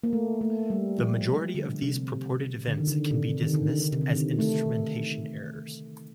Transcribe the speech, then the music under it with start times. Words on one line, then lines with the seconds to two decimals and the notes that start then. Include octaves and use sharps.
The majority of these purported events can be dismissed as instrumentation errors.
0.04 A#3
0.13 A3
0.41 A3
0.70 G3
0.98 F3
1.55 D3
1.82 C3
2.68 D3
2.78 D#3
2.88 D3
3.10 C3
3.42 D#3
3.54 D3
3.82 D3
3.92 C3
4.01 D3
4.09 D#3
4.39 A3